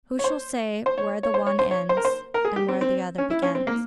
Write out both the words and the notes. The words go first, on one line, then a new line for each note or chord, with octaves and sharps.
Who shall say where the one ends, and where the other begins?
C#5
C5
C5
C#5
C#5
C5
C#5
C5
C#5
C5
A#4
C5
A#4
G#4
G4
C4
C4
C#4
E4
C#4
C4
A#3